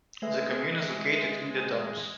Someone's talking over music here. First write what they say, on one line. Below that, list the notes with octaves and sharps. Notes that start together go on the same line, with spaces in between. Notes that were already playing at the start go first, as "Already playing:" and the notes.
The commune is located in the Dombes.
G#3 A3 B4 E5